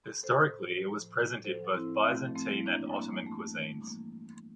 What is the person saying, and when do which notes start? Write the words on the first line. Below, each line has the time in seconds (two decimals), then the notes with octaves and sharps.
Historically it was present in both Byzantine and Ottoman cuisines.
0.23 A2 A4 C5
0.44 A2
0.64 F3
0.84 F3
1.04 A2
1.25 A2
1.44 F3 A4 C5
1.64 F3
1.74 C4 E4
1.85 A2
2.05 A2 A3 C4
2.25 F3
2.35 A3 C4
2.45 F3
2.55 E4
2.66 G2 A#3 D4
2.86 G3
2.96 A#3
3.06 E3
3.26 G2 A3
3.47 G2
3.57 A3
3.68 G3
3.87 E3 A#3